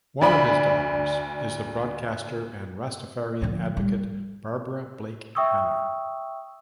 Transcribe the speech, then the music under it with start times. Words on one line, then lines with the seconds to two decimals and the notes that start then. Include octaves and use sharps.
One of his daughters is the broadcaster and Rastafarian advocate Barbara Blake Hannah.
0.21 D2 D4 B5
3.42 D3 F3
3.77 G#2 G3
5.35 E5 G5 C#6 D#6 E6